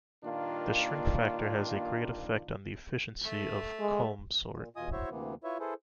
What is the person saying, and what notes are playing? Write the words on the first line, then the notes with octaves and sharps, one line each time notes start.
The shrink factor has a great effect on the efficiency of comb sort.
G2 A#2 D#3 A#3 D4 F4
A3
G#3
A#2
E2 B2 F4 D#5 G#5 D#6
E4 F#4 C5 C#5 E5
D2 C3 E3 A#3 B3
E4 F4 B4 C#5 E5
E4 G#4 A4 B4 C5